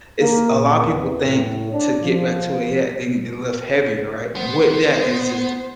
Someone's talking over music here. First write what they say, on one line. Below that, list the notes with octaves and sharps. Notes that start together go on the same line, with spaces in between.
it's a lot of people think to get back to where they at, they need to lift heavier, right. And with that is just
A#3
A#2
E2
A2
D4
F3
B3 C5